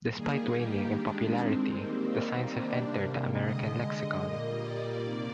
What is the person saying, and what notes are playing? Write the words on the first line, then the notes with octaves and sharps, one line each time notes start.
Despite waning in popularity, the signs have entered the American lexicon.
D#3 G3 A#3 G#4
G4
D#3 G#3 D4
C4
D#3 G3 A#3
C3 G3 A#3 D4
D3 G#3 D#5
A#2 G3 A#3
D5
C3 D#3 A#3